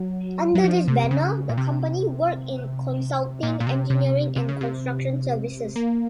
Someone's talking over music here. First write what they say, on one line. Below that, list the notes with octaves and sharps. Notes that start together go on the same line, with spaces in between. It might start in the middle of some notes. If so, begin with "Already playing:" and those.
Under this banner, the company worked in consulting, engineering and construction services.
Already playing: F#3
F#3
F3
C3
C#3
A#2
C3
A#2
A#2
C3
C3
C3
C#3
C3
A#3